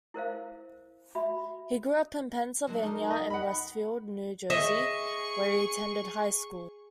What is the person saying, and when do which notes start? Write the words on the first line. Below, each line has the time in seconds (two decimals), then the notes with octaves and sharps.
He grew up in Pennsylvania and Westfield, New Jersey, where he attended high school.
0.14 E4 A#4 C5 F5
1.15 F#4 E5 B5
2.67 F#3 G#3 D4
2.83 D#4 A#4
3.11 D#5
3.30 F#5 B5
4.50 G#4 D#5 E5 C#6